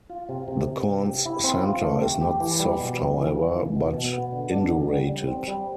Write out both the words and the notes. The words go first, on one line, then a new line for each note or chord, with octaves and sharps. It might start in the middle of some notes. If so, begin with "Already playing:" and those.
The corn's center is not soft however, but indurated.
F4
C3
C3
C3
G4
G4
E4
C4
F4
A3
G4
G4
E3
G3
B2
G3
E3
F4
E3
B2
B2
B3
D3
D4
D3
G3
G3
C4
G3